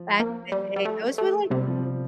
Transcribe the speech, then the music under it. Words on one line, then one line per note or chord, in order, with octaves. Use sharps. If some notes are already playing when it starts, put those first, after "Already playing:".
back in the day, those were like
Already playing: F3
A#3
G3
G3
A3
A3
C3 G3
F3
F3